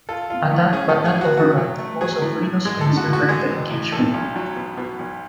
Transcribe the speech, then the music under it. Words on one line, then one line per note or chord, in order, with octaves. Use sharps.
Attacked but not overrun, most of Reno's men survived the engagement.
F4 A4
F4
A2
C#4 G#4
A4
A2
G#4
F#3
F#4
A3 F#4
F#3
A3
F#3 G#4
A2
A2
G#3 G#4
A4
A2
F#4
A2
F#4
G#3 G#4
A1
A2
B1 A4
B1
F#3
B2
B2
B1